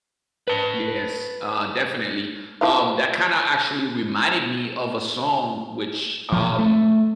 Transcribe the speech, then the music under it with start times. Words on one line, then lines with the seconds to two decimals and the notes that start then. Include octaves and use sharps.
Yes, uh, definitely. Um, that kinda actually reminded me of a song, which, um,
0.48 B4 A5
2.61 F3 E4 F5
6.32 A#2 F3
6.59 A3